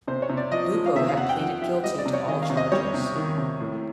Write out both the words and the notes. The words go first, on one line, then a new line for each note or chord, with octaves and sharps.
Lupo had pleaded guilty to all charges.
C3 C5
C#5
C3
D5
F3 D#5
F3
F5
C3 E5
F5
C3 F#5
G5
F3 F#5
F3 E5
G3 D#5
D5
C3
C#5
D#3 D#5
F5
C3
D#5
G3 C#5
C3
D#3
C3
A2